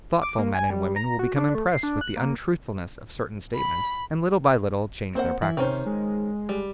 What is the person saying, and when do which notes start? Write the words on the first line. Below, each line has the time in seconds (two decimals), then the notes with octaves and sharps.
Thoughtful men and women will become impressed with the untruthfulness of certain statements and little by little change their practice.
0.22 D6
0.38 A#3
0.54 G#5
0.70 G3
0.96 A#5
1.19 F#4
1.36 D4
1.55 A3
1.68 C7
1.83 D4
2.01 F#6
2.17 A#3
3.55 B5
5.15 A#3 C4 C5 F#5
5.42 E3 E4
5.57 C3 D#3 C#4 C5
5.86 G#3
6.49 G3